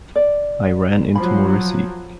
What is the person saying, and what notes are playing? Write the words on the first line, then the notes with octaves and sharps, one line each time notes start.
I ran into Morisi.
D5
F3 F#3 B5